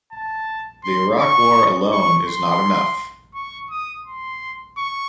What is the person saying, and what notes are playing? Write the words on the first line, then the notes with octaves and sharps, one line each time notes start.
The Iraq war alone is not enough.
A5
C6
C#6
C#6
C6
C#6
D#6
C6
C#6